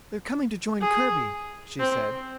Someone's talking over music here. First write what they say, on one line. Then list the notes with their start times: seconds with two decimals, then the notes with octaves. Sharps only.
"They're coming to join Kirby," she said.
0.81 G#4
1.80 C4